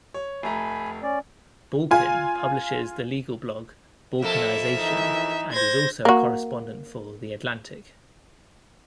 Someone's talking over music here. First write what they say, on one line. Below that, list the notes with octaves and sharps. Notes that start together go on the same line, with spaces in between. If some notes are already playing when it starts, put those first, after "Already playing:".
Balkin publishes the legal blog, Balkinization, and is also a correspondent for "The Atlantic".
C#5
F1 A3 G#5 A#5 B5
C#4 D5
F4 G#5
F2 A#3 A4 E5
E3 D#4
C5 G#6 A#6
A#3 F#4